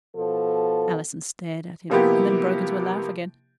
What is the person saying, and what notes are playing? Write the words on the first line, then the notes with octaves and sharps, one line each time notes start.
Allison stared at him, and then broke into a laugh again.
B2 F3 A4
C3 F3 A#3 B3 E4 G4